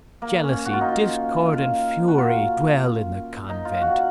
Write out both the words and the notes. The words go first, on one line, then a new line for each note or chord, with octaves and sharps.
Jealousy, discord, and fury, dwell in the convent.
A#3
C#4
F#4
F4
D#4
F4
F4
F#4
F4
D#4
F4
F#4